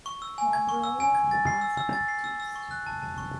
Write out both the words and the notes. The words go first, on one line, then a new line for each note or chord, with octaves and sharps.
Monroe was Baptist.
C#6
E6
G#5
G#6
C#6
E6
G#5
G#6
A6
C7
E6
E6
A6
C7
E6
E6
C#6
F#6
A5
A5
C#6